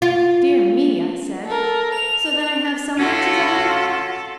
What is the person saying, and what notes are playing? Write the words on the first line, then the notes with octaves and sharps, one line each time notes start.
"Dear me!" I said, "so then I have some virtues after all!"
F4
A4 A#4
F7
C#4 F4 F#4 A4